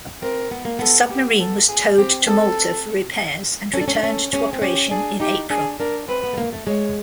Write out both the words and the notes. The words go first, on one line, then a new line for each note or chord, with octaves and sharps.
The submarine was towed to Malta for repairs and returned to operation in April.
C4 A#4
B3
A#3
B3 A4
G4
A4
G#4
C4 G4
A4
C#4 A4
D4
C#4
D4
C#4 A4
C#4 G#4
C4
C#4 G4
D4 G#4
D#4 G4
D4 G#4
D4 A#4
C4 B4
B3
A3
A#3
A3
G#3 C#5